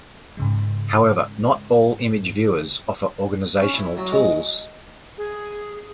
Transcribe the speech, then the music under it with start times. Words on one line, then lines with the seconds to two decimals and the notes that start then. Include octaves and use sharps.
However, not all image viewers offer organizational tools.
0.37 G#2 C#3 G#3
3.60 C#4
3.74 E4
3.97 F#3
4.12 G#3
5.18 G#4